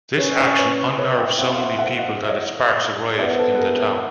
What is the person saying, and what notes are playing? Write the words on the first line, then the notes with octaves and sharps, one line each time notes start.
This action unnerves so many people that it sparks a riot in the town.
C#4 B4 C#5
C5 D5
B4 C#5
B4 C#5
F5 G5
C4 E5 F#5
F5
E5 F#5
E5 F#5
D#5 F5
E5
C#5 D#5
B3 D5 E5
C5
A4 B4
B4
G#4 A#4